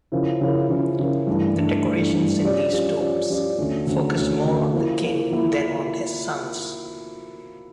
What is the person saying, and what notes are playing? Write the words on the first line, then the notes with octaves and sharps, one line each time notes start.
The decorations in these tombs focus more on the King than on his sons.
C#3 F3 C#4 E4 A#4
C#3 F3 C#4 E4 A#4
C#3 F3 C#4 E4 A#4
C#3 F3 C#4 E4 A#4
G2 E3 A3 D4
G2 E3 A3 D4
G2 E3 A3 D4
G2 E3 A3 D4
F3 C#4 G4 D5
F3 C#4 G4 D5
F3 C#4 G4 D5
F3 C#4 G4 D5
D2 D3 A3 C#4
D2 D3 A3 C#4
D2 D3 A3 C#4
D2 D3 A3 C#4
F3 A#3 E4 A#4
F3 A#3 E4 A#4
F3 A#3 E4